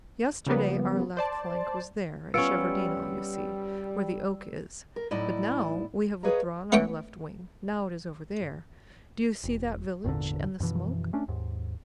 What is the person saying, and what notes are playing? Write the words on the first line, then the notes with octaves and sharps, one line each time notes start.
Yesterday our left flank was there at Shevardino, you see, where the oak is, but now we have withdrawn our left wing--now it is over there, do you see that village and the smoke?
C#3 F3 G3 A#3 B3
C5 D5 A5
G3 B3 C#4 F4 E6 C#7 D7
A#4
A2 F#3 D#4 E4 D5
G#4 B4 C#5 D#5 F5 A#5
A3 B3 C#4 G5 C#6 D6
E1
G#1 E2 A#2 D3
F#2 B2 E3 F3
A3 C#4 D4
D#2 G#2